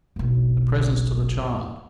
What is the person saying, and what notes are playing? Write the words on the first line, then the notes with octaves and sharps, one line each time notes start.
The presents to the child!
F#1 B1